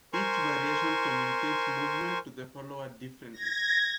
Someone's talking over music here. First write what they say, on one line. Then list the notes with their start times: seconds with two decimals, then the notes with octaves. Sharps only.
Each variation communicates movement to the follower differently.
0.13 A#4 C5 G#5 C6 C#6
3.32 G#6 A#6